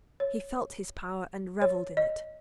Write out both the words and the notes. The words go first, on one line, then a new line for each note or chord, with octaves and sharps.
He felt his power and revelled in it.
C#5
C#5
D#5